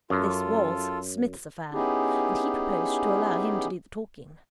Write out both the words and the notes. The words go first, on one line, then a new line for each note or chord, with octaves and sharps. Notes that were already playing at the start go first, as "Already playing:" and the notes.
This was Psmith's affair, and he proposed to allow him to do the talking.
F#2 F4 A4
B3 C#4 D#4 E4 G4 G#4